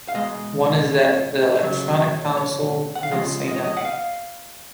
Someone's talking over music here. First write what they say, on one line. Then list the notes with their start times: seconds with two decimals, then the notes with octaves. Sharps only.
One is that the electronic console would say Nothing here.
0.08 F5
0.14 B2 G#3 D#5
1.63 C#3 F#3 C#5
2.37 C#5
2.95 F#5
3.03 F5
3.11 C#3 F3 G#3 D#5
3.48 D#5
3.56 C#5
3.64 D#5
3.77 F#5
3.85 F5